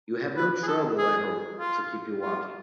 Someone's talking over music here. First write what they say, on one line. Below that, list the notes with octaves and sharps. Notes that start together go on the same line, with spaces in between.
You have no trouble, I hope, to keep you waking?
B4
G#4
A4
G#4
F4
F4